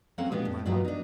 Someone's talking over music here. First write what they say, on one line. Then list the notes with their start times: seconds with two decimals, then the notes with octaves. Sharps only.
living my li"
0.18 F#3 A#3 C4 C#4 A4 F#5
0.31 G#3 B3 D4 G4
0.45 F2
0.66 G2 A#2 F#3 A#3 B3 D#4
0.85 D4 D#4